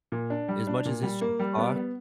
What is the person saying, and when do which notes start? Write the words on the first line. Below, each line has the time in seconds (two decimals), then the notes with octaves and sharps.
As much as it's you talk,
0.12 A#2
0.30 D4
0.48 G3
0.67 D4
0.85 A#2
1.03 G3
1.21 A#3
1.40 G3
1.58 B3
1.75 B3